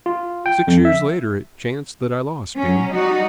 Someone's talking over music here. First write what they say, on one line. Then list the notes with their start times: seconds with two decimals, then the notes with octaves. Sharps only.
Six years later it chanced that I lost Jim.
0.06 F4
0.46 G5
0.67 F2
0.85 E5
2.57 F#3 C#4
2.94 G3 D#4 F#4